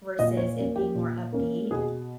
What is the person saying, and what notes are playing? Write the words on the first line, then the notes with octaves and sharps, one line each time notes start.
versus it being more upbeat,
A#2 D#5
C#5
A#3 C#4
G4
A#2
A#3 C#4
B2 G#4